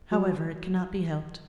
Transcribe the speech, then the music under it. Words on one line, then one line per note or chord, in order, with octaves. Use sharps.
However, it cannot be helped.
F#3